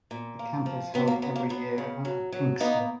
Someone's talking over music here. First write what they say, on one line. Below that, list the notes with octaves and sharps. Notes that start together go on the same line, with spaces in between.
The camp is held every year at Pinkster.
A#2
A#3
F3
F#3 B3
A#3
F#3 B3
A#3
F#3 B3
C#3
F#3
F#3
A#3 B3 D#4